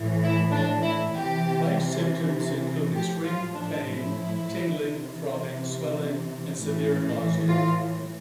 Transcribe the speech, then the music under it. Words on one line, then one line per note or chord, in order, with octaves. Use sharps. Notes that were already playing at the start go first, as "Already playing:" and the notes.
Bite symptoms include extreme pain, tingling, throbbing, swelling, and severe nausea.
Already playing: A2 E3
E4
D4
E4
C3 E3 G4
A2 F3 G4
F4
D4
E4
C3 E3
A2 E3
F4